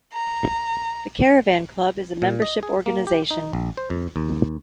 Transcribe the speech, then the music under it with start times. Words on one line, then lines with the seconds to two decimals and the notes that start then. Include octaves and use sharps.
The Caravan Club is a membership organisation.
0.13 A#5
2.22 A#2
2.42 D#5
2.63 G#4
2.86 A#3
3.07 G4
3.31 D#4
3.53 A#1
3.77 C5
3.90 F2
4.16 D#2